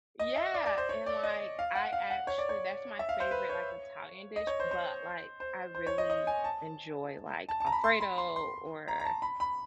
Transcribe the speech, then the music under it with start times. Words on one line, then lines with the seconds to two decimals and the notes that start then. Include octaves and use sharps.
Yeah, and, like, I actually that's my favorite, like, Italian dish, but, like, I really enjoy, like, Alfredo or,
0.20 D#5
0.36 E5
0.54 D5
0.66 D5
0.78 C5
0.89 C#5
1.06 D5
1.23 D#5
1.59 F5
1.75 F#5
1.93 F5
2.10 F#5
2.27 C#5
2.38 D5
2.49 C#5
2.99 E5
3.09 F5
3.20 C5
3.31 B4
3.49 C#5
4.36 D#5
4.47 C#5
4.60 C5
4.71 C5
5.40 C5
5.75 C5
5.87 C#5
5.98 D#5
6.10 D#5
6.27 G#5
6.44 A5
7.49 A5
7.60 A5
7.67 A#5
7.72 B5
7.84 C6
8.00 B5
8.18 C6
8.36 C6
8.88 A#5
9.00 A#5
9.05 A5
9.22 B5
9.40 B5